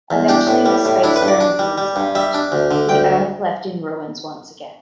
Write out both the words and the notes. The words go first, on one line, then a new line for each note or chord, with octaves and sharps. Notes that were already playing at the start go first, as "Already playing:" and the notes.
Eventually the spacefaring humans left, the Earth left in ruins once again.
E2
D4 G4
A2
G3
A2
D4 E4
B4
G2
D5
D4
G3
G3
G2
G3 E5
D4
D2
D3
D2 G5